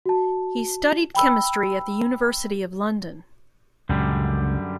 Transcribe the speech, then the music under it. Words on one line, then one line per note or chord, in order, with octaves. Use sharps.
He studied chemistry at the University of London.
F#4 A5
G5 B5 E6
C#2 F#2 A#2 D3 G3